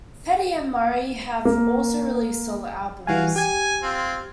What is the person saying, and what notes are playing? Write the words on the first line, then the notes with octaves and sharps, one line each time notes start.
Petti and Murray have also released solo albums.
A#3
E3 G3 F#4 F5 G#5
G4 G#5 G#6
C4 F4